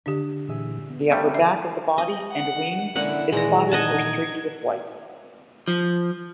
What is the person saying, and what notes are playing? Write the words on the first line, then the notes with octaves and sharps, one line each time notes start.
The upper back of the body and wings is spotted or streaked with white.
D3 D4 G4
A#2 E3 G#4 E5
B3
C3 G3 A3
E4 E5
D#5
F#5
D3 A#3 C#4 E4 F#5
A#2 D#3 E3 G#3 A#5
D#4 D#5 F#5 A5 G#6
F3